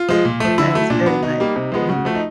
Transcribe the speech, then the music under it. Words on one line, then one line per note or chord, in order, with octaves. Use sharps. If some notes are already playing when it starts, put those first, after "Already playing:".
That is very nice mhm.
Already playing: F4
F3 G#3
A#2
F3 A3
D3 E4
F#3 A3
A#2 D4
F#3 B3
B2 D#4
G3 A#3
C3
F3 G#3 B3
C#3 F#4
F3 A3
D#4